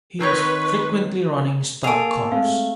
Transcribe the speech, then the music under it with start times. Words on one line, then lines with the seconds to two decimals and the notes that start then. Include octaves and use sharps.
He was frequently running stock cars.
0.20 D#3 C4 D#4 B4 C#5 C#6
1.84 A#3 G#4 A4 D7 F7
2.32 G#3 A3 C4 F5